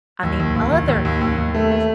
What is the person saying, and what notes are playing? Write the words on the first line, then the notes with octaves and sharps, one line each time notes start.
On the other hand,
D#2
D#2
D#2
D#2
D#2
D#2
D#2
D#2
A3
A3